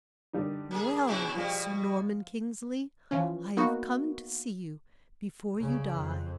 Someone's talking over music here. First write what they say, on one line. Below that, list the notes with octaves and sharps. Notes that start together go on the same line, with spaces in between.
"Well, Sir Norman Kingsley, I have come to see you before you die."
D3 G3 D#4
A#3 G#4
A#2 C#3 E4
B2 F3 G3
E3 F3 C#4
A#3 B3 D#4 F#4
C2 C#3
F2